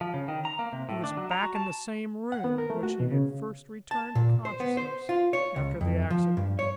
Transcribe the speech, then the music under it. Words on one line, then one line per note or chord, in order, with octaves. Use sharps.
He was back in the same room in which he had first returned to consciousness after the accident.
F3
C#3
D#3
A#5
A#3
C3
A2
D4
F#3
A#5
F#4
A5
F#5
B3
A#4
A3
F#4
B2
C#3
A5
A#2
C5
B3
C5
F4
C#5
C#2
F2
F3
G2
C#5